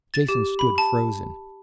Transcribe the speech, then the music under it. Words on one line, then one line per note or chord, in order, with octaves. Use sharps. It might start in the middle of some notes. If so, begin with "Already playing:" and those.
Jason stood, frozen.
A6
G4
B5
A5